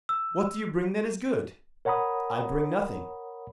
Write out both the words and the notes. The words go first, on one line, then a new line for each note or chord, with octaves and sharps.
What do you bring that is good?' 'I bring nothing.
E6
A#4 C#5 F#5 A#5 B5 D#6